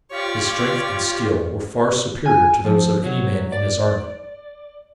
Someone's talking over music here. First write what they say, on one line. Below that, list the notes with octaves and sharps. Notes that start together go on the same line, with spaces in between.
His strength and skill were far superior to those of any man in his army.
F4 G4 C#5 D5
G#5
F3
F#3
D5